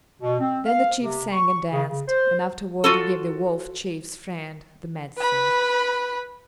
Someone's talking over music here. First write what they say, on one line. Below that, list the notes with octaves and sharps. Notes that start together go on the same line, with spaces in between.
Then the chief sang and danced, and afterward he gave the Wolf chief's friend the medicine.
B2
C4
F5
C3
C#6
C#3
C#3
C5
F4 F#4 A4
B4 B5